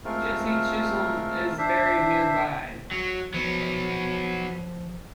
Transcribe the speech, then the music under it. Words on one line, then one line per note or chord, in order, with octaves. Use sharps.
Jesse Chisholm is buried nearby.
G#3 A3 C4 F4 A#4
D4 C5 E5
F#3
F3 F#3 B3